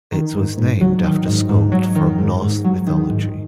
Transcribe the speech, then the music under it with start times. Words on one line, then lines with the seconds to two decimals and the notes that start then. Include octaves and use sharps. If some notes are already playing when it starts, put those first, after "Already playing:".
It was named after Skuld from Norse mythology.
0.12 D#3
0.35 G#2
0.58 G#2
0.81 F#3
1.04 D#3
1.27 G#2
1.49 G#2
1.72 F#3
1.95 D#3
2.19 G#2
2.41 G#2
2.65 F#3
2.87 D#3
3.10 G#2